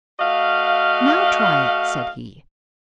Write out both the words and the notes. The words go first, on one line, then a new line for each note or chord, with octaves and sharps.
"Now try it," said he.
A3 F#4 D#5 F5